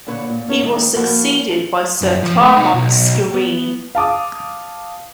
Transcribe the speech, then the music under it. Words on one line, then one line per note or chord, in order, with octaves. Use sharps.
He was succeeded by Sir Clarmont Skrine.
A#2 D3 B4 C#5
A#2
C#4 D#4 A4 C#5
D#3 G#3 D#4
F3 A#3 D#4 F#4 A4 B4
A4
F#2
F3
A3
D#4 B4
B1
B3
F5 A5 D6 D#6